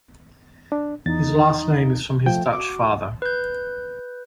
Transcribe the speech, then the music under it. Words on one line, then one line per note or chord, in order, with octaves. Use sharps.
His last name is from his Dutch father.
D4
E2 D#4 A6
F3 A3 G5
F#4 D6
B4 G6